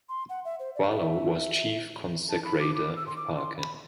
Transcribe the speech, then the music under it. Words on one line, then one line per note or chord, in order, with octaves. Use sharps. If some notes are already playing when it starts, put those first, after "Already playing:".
Barlow was chief consecrator of Parker.
C6
F#5
E5
C5
D5
E5
A5
B5
D6
D6
E6
C6
D6
C6
B5